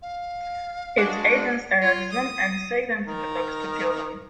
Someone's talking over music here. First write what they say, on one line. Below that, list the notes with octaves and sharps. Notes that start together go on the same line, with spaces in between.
Its agents arrest them and take them to the docks to kill them.
F5
G#3 D4 F#4
F4
D#6
D#3 A#4